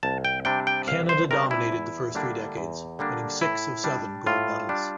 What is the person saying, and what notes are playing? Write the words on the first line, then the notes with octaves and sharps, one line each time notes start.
Canada dominated the first three decades, winning six of seven gold medals.
C2 A5
G5
C3 G3 D4 G5
G5
C2 F5
C5
C3 G3 D4 A#4
E4
E2
D3 G3 A#3 D4
E2
D3 G3 A#3 D4
A2 E4
G3 D4
A2 F4
G3 D4